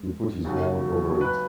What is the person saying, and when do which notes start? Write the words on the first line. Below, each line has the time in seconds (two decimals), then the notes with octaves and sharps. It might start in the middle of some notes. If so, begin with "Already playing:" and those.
He put his own over it.
Already playing: G#3
0.45 D#2 C#3 F#3
1.21 B4